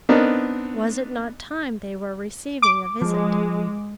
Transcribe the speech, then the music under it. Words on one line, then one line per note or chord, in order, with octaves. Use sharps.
Was it not time they were receiving a visit?
B3 C4 D4 D#4 A#4
D6
F3 G#3